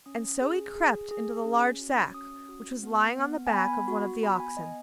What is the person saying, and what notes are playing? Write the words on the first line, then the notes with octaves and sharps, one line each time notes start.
And so he crept into the large sack, which was lying on the back of one of the oxen.
C#4 D#6
G#4
G#4
G#4
C#4
F#4
C#4 D#6
F#4
B3
B3
G#5
B3 B5
F#4
B3 B5
G#5
B3 D#5